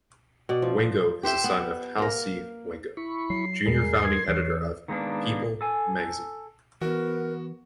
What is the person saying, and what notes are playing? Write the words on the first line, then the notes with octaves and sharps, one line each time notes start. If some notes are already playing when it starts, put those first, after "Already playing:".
Wingo is the son of Hal C. Wingo, Junior founding editor of "People" magazine.
B2 D5
F3
G4 C5 E5 G5
B3
A#3 A#4
E4 B5 C#6
F#3 C7
E2 G3 G#3 G#4 A#4
A#4 C6 G#6
E2 E3 C#5
D#3 G#3 A#3 B3 D4
A4 G#5
E3 B3 F#4 A#4